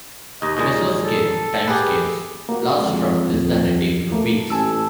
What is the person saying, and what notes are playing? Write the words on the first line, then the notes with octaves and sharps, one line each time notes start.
Mesoscale timescales last from less than a day to weeks.
D#2 D#5
D#2 A#2 G#3
A4
G4 G#4 B4
A#3 F#4
F2 G#3
D#2
A3 A#3
A1 G#5 A5 E6